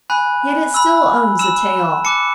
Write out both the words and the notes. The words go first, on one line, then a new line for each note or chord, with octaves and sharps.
Yet it still owns a tail.
G#5 B5 F#6
B5 E6
B5 E6 E7
A5 D6 F#6 C#7